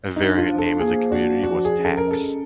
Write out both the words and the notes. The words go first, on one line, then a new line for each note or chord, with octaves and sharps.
A variant name of the community was "Tax".
D4 D#4
F4
F3
A4
A#3 G#4
D4 F#4
F3 F#4
G#4
C#4
A4
A#4
G#3 A4